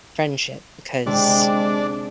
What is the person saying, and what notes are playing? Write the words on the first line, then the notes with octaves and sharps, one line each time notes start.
friendship because
C3 G#3 D4